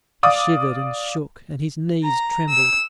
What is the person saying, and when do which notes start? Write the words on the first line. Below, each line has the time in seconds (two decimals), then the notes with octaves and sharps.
He shivered and shook, and his knees trembled.
0.23 D5 F5 D6 D#6
2.03 A#5
2.49 E6